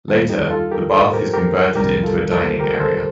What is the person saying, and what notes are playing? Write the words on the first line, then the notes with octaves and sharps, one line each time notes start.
Later, the bath is converted into a dining area.
D#2 D#3 G3 F4 A4
D#4 G4
F4 A4
G4 A#4
A4 C5
G4 A#4
G4 A#4
C2 C3 D#3 G3 G4 A#4
F4 A4
A4 C5
G4 A#4
A4 C5